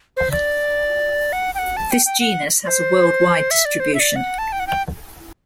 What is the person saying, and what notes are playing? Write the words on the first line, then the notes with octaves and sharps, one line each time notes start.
This genus has a worldwide distribution.
C5
D5
F#5
G5
F#5
A5
G5
G5
F#5
D5
C5
E5
D5
C5
E5
D5
F#5
A5
G5
F#5
G5